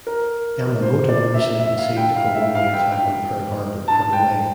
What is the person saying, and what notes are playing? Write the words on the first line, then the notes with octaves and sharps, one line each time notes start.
Yamamoto initially conceived of a one-way attack on Pearl Harbor from away.
A#4
C5
D5
E5
E5
F5
G5
F5
E5
F5
G5
G5
A5
G5